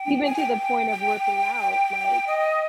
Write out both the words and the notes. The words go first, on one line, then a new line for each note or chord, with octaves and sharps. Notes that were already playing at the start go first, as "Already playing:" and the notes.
Even to the point of working out, like
Already playing: G5
G#5
G5
D#5